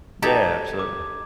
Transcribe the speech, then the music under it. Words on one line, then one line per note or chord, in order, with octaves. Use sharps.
Yeah, absolutely.
D#4 G4 A4 A#5 G#6
D6